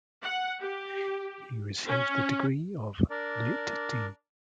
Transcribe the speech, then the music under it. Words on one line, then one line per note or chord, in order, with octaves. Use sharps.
He received the degree of Litt.D.
F#5
G4
C#4
D4 A#4 D5